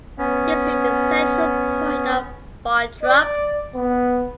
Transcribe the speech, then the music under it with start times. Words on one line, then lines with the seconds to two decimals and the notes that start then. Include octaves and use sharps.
This is the central point of Barntrup.
0.18 B3 C#4
3.03 D5
3.75 B3